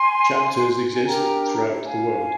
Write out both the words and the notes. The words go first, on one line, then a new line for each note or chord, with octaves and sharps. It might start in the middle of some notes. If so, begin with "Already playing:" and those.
Chapters exist throughout the world.
Already playing: G#5 C6
G#5
D4 G4 A#4 G5 A#5
F5 G#5